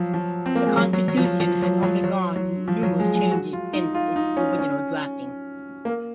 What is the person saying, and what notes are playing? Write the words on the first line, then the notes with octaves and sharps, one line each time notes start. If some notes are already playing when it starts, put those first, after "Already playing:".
The constitution has undergone numerous changes since its original drafting.
Already playing: F3 F#3
F3
C4
A#3
G#3
F#3
F#3
F#3
F3
F#3
F3
F#3
F#3
F#3
F#3
F3
F#3
G#3
G#3
F#4
F4
D#4
F4
D#4
C#4
C#4
A#3